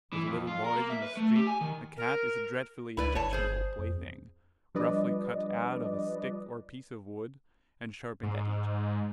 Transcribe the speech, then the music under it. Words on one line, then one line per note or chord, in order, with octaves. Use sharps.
With little boys in the street a Cat is a dreadfully objectionable plaything, roughly cut out of a stick or piece of wood, and sharpened at each end.
E3
F2
F4
A#4
A#3
E5
B4
A3
G4
G#5
D#3
A#4
C#2 E4 B4 D5
G1 C#5 A5
G#4 C5
F2
F3 G3 D4 B4 D5 D#5
G#2